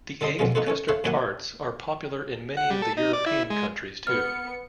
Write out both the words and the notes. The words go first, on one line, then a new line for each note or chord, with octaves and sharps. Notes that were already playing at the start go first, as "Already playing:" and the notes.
The egg custard tarts are popular in many of the European countries too.
D3 A4 D#5 C6
B1 F2 B2 G3 G#3 F4
B3 D#4 F4 F#4 A4 C5
C#4 A4 C#5
A4 C5 C#5 E5 F5
G2 F#3 A#3 E4 F#5 G#5
F#5
G3
A4
D#4
D5
E4
G#3
B3 F6 C#7